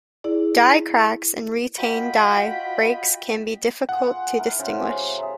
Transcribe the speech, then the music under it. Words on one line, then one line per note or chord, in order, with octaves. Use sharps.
Die cracks and retained die breaks can be difficult to distinguish.
E4 G#4 D5
F4 F#4 D#5 G5 B5
F4 G#4 F#5
E4 A#4
C#3 F4 C5
A3 G4
G#4 E5 A#5